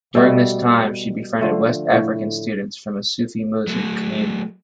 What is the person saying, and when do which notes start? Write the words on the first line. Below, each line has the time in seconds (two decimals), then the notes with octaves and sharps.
During this time, she befriended West African students from a Sufi Muslim community.
0.15 B2 G3 A3 A4
1.41 D3 F3 A3
1.93 A2
3.67 F#3 A3